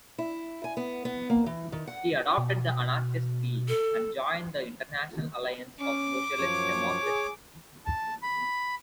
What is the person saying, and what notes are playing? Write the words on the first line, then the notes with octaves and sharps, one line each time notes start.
He adopted the anarchist these and joined the International Alliance of Socialist Democracy.
E4
G#5
B3
B3
A#3
E3
D#3
F#5
B2
A4
C#4 D6
F#2 F3 C#5
G#4
A5
B5